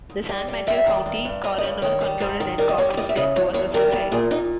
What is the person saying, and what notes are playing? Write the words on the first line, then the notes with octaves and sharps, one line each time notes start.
The San Mateo County coroner concluded that Cox's death was a suicide.
G#2
G3
G3
G3 E5
D#3
G2
G2
G2 D#5
D#5
G2 C#5
D#3 C#5
G3
G#2
D#3
G3 A#4
D#5
G3 C#5
E2 D#5
E5
C#3 D#5
E2 C#5
E2 C#5
G3 A#4
E2
A#2 G#4
A#2 D#4